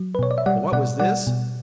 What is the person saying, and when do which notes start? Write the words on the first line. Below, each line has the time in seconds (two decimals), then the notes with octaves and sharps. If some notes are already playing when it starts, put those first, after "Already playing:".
But what was this?
Already playing: F#3
0.15 B4
0.19 B2 C#5
0.31 D5
0.38 E5
0.46 G3 D5 F#5
0.73 B2 D5 F#5
1.00 G3 D5 F#5
1.27 B2